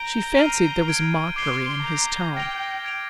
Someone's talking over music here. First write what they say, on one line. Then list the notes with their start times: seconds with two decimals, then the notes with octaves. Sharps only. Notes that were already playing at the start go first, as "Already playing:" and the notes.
She fancied there was mockery in his tone.
Already playing: A#5 G6 D7 G7
0.36 F6 C7 D#7 G7
0.86 G#6 D7 G7
1.36 C6 D6 G#6 C7 G7
1.86 A#5 G6 D7 F7
2.35 G5 F6 A#6 D7 F7
2.85 G#6 D7 F7